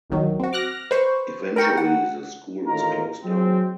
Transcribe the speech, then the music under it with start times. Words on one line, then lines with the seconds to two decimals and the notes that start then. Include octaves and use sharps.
Eventually the school was closed down.
0.10 G1 C2 D#3 F#3
0.40 C4 F#4
0.53 D6 F6 F#6 A#6
0.91 B4 C5 C#6
1.56 A#4 B4 G5 C#6
1.77 F#5
2.67 A1 D#3 F4 A#4 A#5
3.24 F#3 G#3 C4